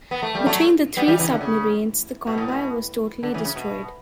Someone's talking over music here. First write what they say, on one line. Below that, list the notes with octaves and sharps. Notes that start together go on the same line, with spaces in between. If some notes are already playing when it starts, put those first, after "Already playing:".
Between the three submarines, the convoy was totally destroyed.
B3
A3
G3
F#3 A3
G3 B3
E3 G3
C#3 E3
D3
C#3
B2
A2
B2
D3
C#3 E3
C#3
B2